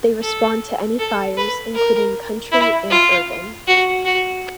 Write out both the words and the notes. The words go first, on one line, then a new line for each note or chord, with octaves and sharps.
They respond to any fires including country and urban.
A4
A4
B4
A#4
E4
F4
F#4
F#4